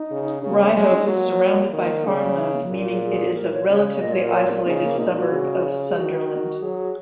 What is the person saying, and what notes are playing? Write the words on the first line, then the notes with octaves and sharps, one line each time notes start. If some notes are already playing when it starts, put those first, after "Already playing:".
Ryhope is surrounded by farmland meaning it is a relatively isolated suburb of Sunderland.
Already playing: D#4
C#3
C#3 C#4
A#3
C#4
A#3
G#3 C#4
A#3
C#4
D#4
F#3 A#3
D#3
C#3 A#3
C#4
D#4
A#3
A#2 C#4
F#4
G#4
G#4
A#2 A#4
C#5
C#3 C#5
C#5
C#5
A#2 D#5
C#5
A#4
C#5
A#3
C#3 D#4
A#3
A#2 D#4
F#4
C#3
G#4
D#3 F#4
F#3 G#4